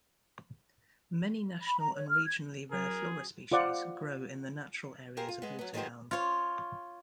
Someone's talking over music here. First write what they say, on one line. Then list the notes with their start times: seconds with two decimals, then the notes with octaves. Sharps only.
Many national and regionally rare flora species grow in the natural areas of Waterdown.
1.62 B5
1.79 A#5
1.95 C#5
2.09 F6
2.25 G#6
2.71 F#3 C#4 G#4 A#4 C5
3.52 F4 C5 D5 F#5
5.17 F4 G4 G#4 A#4 C5
5.28 F4
5.42 G#3 B3
5.59 F#3 B3
5.74 D#3 F3 G#3 B3 G4 C5
6.11 F4 C#5